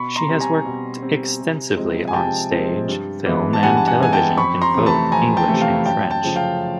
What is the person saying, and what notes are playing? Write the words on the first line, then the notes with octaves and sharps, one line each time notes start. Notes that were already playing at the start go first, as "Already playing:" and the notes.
She has worked extensively on stage, film, and television in both English and French.
Already playing: B2 B5 C#6
A#5 C6
G3 C4
G#5 A#5
B2
G3 C4
C3
F3 G#3 C4
G#5
C3 G5 A5
F3 G#3 C4
G2
E3 G#3 B3
A5
G2 F#5 G#5
A5
F#5 G#5
E3 G#3 B3 G#5
G5 A5
F2 B5 C#6
A#5 C6
C3 E3 A3
A5 B5
F2 G#5 A#5
G5 A5
C3 E3 A3
F5 G5
F#2 G5 A5
G5 A5
C#3 F3 A3
F5 G5